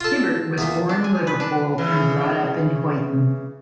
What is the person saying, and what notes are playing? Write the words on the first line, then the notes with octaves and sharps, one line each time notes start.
Hibbert was born in Liverpool and brought up in Huyton.
F4 A4
E2 A#2
D4
G#5
B4
D4
C#3 E3